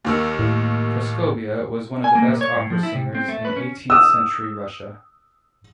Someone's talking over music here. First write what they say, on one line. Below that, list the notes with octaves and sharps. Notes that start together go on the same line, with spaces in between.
Praskovia was one of the best opera singers in eighteenth-century Russia.
D#2 D#3 E6
A2
G#5
A#3
A#2
C#5
A2
F3
E4
C3
C4
A3
B4
C#4
D#6 E6